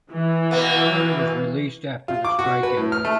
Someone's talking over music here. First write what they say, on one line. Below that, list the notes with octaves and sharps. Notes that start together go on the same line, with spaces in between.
Horn was released after the strike ended.
E3
B2 A#3 B3
F4
D6
F#4
B4
A2
F6
A3